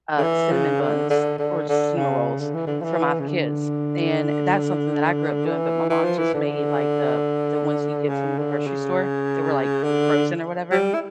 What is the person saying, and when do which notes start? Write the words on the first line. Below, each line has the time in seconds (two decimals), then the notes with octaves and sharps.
uh, cinnamon buns or cinnamon rolls for my kids, and that's something that I grew up doing, but my mom just made, like, the the ones you get from the grocery store, they were, like, frozen or whatever.
0.18 D3
0.23 E3
0.51 C#3
0.81 D3
1.10 D3
1.38 D3
1.69 D3
1.97 C#3
2.40 D3
2.54 E3
2.67 D3
2.81 F3
2.84 E3
3.20 C#3
3.28 D3
5.46 E3
5.90 E3
6.05 F3
6.18 E3
6.34 D3
8.09 C#3
8.38 D3
8.67 C#3
9.84 D3
10.71 G3
10.94 E4